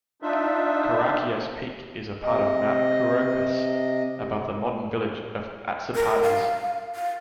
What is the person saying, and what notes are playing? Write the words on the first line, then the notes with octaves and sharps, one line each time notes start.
Korakias peak is a part of Mount Kouroupas, above the modern village of Atsipades.
D4 D#4 F4 E5
C3 D#5
A#4
F5
F5